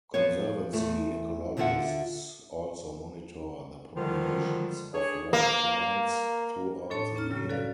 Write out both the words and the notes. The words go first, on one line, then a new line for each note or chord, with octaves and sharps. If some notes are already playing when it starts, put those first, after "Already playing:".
Conservancy ecologists also monitor the populations of rare plants throughout the year.
F3 F4 B4 C#5
E2 A3
D2 D3 B3 F4 E5 F#5
D3 D#3 F3 G3 G#3 F4
D4 G#4 A4 C#5
A#3
A2 D4 A4 C#5 A5 C6
C#4 A#5 F6
F#2 C#3 F#3 G3
F#4 A4 B4 D5 F5